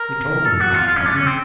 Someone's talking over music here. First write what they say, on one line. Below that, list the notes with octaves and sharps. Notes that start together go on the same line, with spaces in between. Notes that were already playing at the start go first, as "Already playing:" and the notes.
We told him about them.
Already playing: A#4
A4
F#4
F4
F4
C#4
D4
C#4
C4